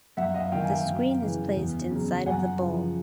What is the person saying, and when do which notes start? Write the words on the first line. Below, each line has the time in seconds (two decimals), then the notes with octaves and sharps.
The screen is placed inside of the bowl.
0.17 F#2 E5 F#5
0.34 D#5 F5
0.52 D#3 F#3 F5 G5
0.64 G#5
0.69 F5 G5
0.87 F#2
1.22 C#3 E3
1.57 E2
1.91 C#3 F#3
2.26 F#2 F#5 G#5
2.61 C#3 F3